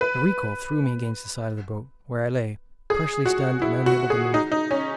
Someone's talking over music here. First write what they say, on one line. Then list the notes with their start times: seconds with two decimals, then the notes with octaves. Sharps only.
The recoil threw me against the side of the boat, where I lay, partially stunned and unable to move.
0.01 B4
2.90 G#4
3.26 F#4
3.62 E4
3.86 F#4
4.10 G#4
4.34 D#4
4.52 D#4
4.71 C#4